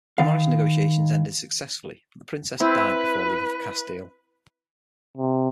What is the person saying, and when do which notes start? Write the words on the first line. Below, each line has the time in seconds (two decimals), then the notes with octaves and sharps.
The marriage negotiations ended successfully, but the princess died before leaving for Castile.
0.18 D#3 F5
2.60 C4 E4 B4
5.18 C3